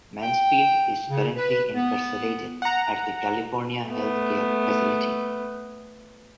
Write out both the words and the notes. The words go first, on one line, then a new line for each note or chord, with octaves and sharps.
Mansfield is currently incarcerated at the California Health Care Facility.
G5
C#3
B4
B3
F#5 A#5
A3 B3